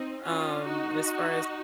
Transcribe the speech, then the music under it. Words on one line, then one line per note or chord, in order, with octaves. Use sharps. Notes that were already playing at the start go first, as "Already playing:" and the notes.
um, as far as
Already playing: C4 D#4
C#4 F4
D#4 F#4